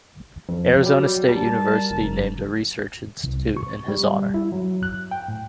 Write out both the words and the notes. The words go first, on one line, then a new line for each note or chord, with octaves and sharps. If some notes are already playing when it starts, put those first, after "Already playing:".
Arizona State University named a research institute in his honor.
F2
F#3 G3
G3 A#4 A5
F#1
C2
C#6
G3
E4
F#3
F#6
G5
A2